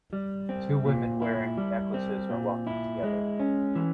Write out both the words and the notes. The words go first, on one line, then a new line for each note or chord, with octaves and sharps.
Two women wearing necklaces are walking together.
G3
C4
A#2
E4
G3
C4
A#2
E4
G#3
C#4
E3